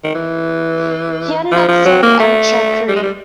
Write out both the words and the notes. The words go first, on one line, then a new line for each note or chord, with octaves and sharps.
He had an outstanding amateur career.
D#3
E3
F3
F3
F#3
A#3
A3
G3
G#3
G3